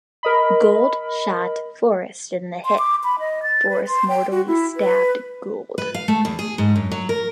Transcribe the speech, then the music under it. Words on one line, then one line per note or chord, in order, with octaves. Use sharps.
Gould shot Forrest in the hip; Forrest mortally stabbed Gould.
A#4 D#5 B5
C6
D6
B5
D#5
A6
B4
C6
G5
F#4
E4
B4
B4
F5
A3
E2
G#4
G#2
F#2
F#3
A#4